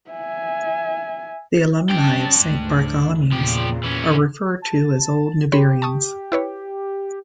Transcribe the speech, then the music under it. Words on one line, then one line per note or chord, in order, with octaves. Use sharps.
The alumni of Saint Bartholomew's are referred to as "Old Newburians".
E5 G#5
C#4 D4 G5 A5
D2 G#2
E2 A#2 C#3 F3 G4
E3 C#4
A5
G4 C#5 B5 C6
A5 C#6 D#6
E4 B4 C#5